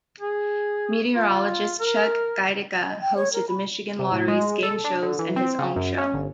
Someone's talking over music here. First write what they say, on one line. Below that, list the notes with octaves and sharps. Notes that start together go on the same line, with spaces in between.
Meteorologist Chuck Gaidica hosted the Michigan Lottery's game shows and his own show.
G#4
F4
A#4
D#5
G5
C#5
A#4
B5
C3
A2
G#3
A4
D4
D3
E3
C4
C#3
F#2
C#4
G1